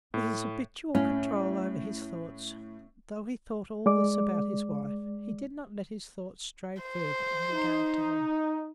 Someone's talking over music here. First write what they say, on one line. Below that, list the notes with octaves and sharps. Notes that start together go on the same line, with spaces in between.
With his habitual control over his thoughts, though he thought all this about his wife, he did not let his thoughts stray further in regard to her.
A2
A2 C#4
G#3 D5 D6
C5
D#4